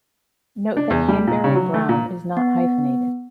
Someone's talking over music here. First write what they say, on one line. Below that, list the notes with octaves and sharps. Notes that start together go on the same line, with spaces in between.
Note that Hanbury Brown is not hyphenated.
D4
E2
G3
A#2
C#3
F#3
A3
A#2
B3